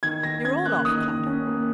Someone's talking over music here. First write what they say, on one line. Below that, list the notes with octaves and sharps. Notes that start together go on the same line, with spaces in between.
You're all off, Cloudy.
D#3 G#6
D#3 A#6
C#4 G#6
A#3 F#6
D#3 D#6
D#3
C#4
A#3